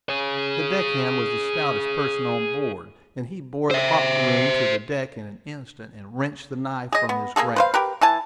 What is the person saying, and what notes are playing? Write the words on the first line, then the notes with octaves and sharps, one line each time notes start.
The deckhand was the stoutest person on board, and he bore the octoroon to the deck in an instant, and wrenched the knife from his grasp.
G#4 C#5
C5 E5
G#4 D#5
B3
A#3 B3 G#4 A4
B4 C5 F5
G4 A#4 B4
E3 G#5 A5